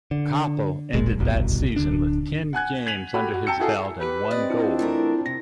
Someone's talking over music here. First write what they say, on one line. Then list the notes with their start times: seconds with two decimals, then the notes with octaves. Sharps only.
Coppell ended that season with ten games under his belt and one goal.
0.11 D3
0.94 D1 G#1 A#2 G#3
1.18 D1 G1 C2 B2
1.76 D1 D#2 D3 D4
2.53 F#5 G#5 F#6 G#6
2.86 G#6 B6 D#7 F7 F#7
3.14 F#4 G4 A4 B5
3.34 F#4
3.47 G5 A5 A#5 E6 C#7
3.59 E4 F#4 G#4 A4
4.00 G4 B4
4.31 C4 D5 D#5
4.50 D4 E4 F4
4.79 E3 A3 A#4
5.26 C3 A#6